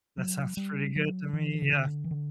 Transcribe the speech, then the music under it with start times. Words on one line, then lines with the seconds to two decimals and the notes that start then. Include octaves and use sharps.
that sounds pretty good to me, yeah.
0.18 F#3
0.57 G3
0.96 F#3
1.33 E3
1.62 C#3
1.73 D3
2.04 E3
2.11 D3